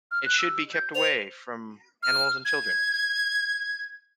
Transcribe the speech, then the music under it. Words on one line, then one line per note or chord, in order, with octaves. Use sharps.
It should be kept away from animals and children.
F6
F#6
E6
G6
C5 F7
F6
G#6